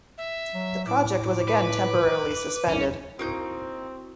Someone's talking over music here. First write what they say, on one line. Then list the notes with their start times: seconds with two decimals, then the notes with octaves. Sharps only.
The project was again temporarily suspended.
0.18 E5
0.54 F#3
0.87 A2 D6
1.48 B4
2.69 C2 C#4
3.19 A#3 C4 D#4 E4 F#4 G6